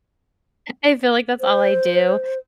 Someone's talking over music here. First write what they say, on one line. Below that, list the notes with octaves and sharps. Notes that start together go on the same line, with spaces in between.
I feel like that's all I do.
C5